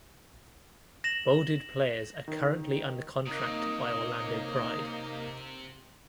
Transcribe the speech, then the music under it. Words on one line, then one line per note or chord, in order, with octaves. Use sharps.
Bolded players are currently under contract by Orlando Pride.
A#6 E7 F#7
D#3
C3 A#3 D#4 C#5 D#5 D#6